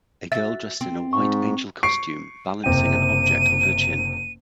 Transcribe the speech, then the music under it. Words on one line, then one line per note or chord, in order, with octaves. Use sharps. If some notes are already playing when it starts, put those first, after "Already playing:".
A girl dressed in a white angel costume balancing an object on her chin.
F#4 E5 A6
C4
G#2 C#6
C#6 C7 D7
F#1 C3 G5 D#7